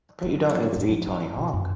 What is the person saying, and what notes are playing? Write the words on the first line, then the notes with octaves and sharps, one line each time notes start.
But, you don't need to be Tony Hawk.
F#3 B3
F2 A2
F3 C4
E4
B2
F#2